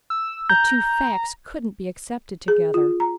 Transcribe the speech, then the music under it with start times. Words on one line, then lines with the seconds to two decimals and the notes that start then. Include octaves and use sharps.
The two facts couldn't be accepted together.
0.10 E6
0.50 A#5 G6
2.48 G#4
2.74 F4
3.00 A#5